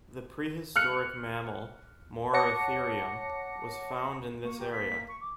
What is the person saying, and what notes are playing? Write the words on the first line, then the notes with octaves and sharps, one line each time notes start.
The prehistoric mammal "Moeritherium" was found in this area.
F6 F#6 C#7
C#5 F#5 A5 D6 A#6 C#7
A#3 C#6
G4
B6
C#6
D6